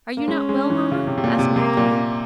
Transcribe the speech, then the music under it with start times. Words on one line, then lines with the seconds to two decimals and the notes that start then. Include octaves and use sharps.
"Are you not well, mamma?" asked Magdalen.
0.17 A#3
0.27 G#3 C#4
0.49 G#3
0.70 E3
0.91 C#3
1.07 C3
1.18 C3
1.24 A#2
1.39 C3
1.55 C3 A#3
1.77 A#2